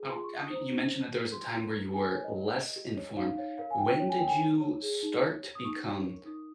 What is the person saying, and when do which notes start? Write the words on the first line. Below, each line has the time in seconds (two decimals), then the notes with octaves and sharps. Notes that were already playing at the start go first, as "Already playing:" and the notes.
Oh, I mean, you mentioned that there was a time where you were less informed. When did you start to become,
Already playing: G#4
0.08 F4 C6
0.24 C#6
0.29 F4
0.39 D#6
0.50 C5
0.55 A#5
0.70 D#4
0.91 C#5
1.12 G4
1.32 G4 C6
1.52 C#5
1.63 A#5
1.73 A#4
1.93 D#4 G#5
2.14 C#5
2.24 D#5
2.35 A#4
2.55 G4
2.76 G4
2.97 C#5
3.17 D#4 F5
3.37 C#5 F5
3.58 A#4 F5
3.70 G#5
3.78 F4 G5
4.00 C#5
4.09 G#5
4.19 A#4 G5
4.27 G#5
4.41 D#4
4.61 C#5
4.82 G#4
5.03 D#4
5.23 C#5
5.43 G4
5.55 D#6
5.64 D#4 C#6
5.85 C#5
6.05 A#4
6.26 D#4 D#6